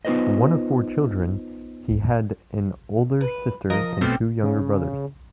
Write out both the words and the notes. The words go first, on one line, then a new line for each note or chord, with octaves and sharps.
One of four children, he had an older sister and two younger brothers.
B3 D#4 F4 B4 C5 D#5
B4
F3 A#4 D#5 A#6
B2 A3 C4 G4 F6
C#3